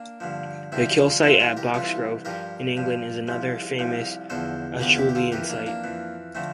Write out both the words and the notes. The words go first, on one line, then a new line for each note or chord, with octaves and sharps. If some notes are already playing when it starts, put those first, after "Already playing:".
The kill site at Boxgrove in England is another famous Acheulean site.
Already playing: A#3 D4
G2 D3 F3
G2 D3 F3 C4 E4
D4 F4
C2 C3 E3 F4 A4
F4 A4
G4 A#4
C2 C3 E3 F4 A4
G2 F3 G4 A#4
G2 F3
C2 C3 F3
C2 C3 F3
E2 D3 F3 A4 C5
E2 D3 F3 G4 A#4
E4 G4
G4
F4 A4
F2 E3 G4 A#4
A#3 D4
A#3 D4
F2 E3
D3 F3 A3 C4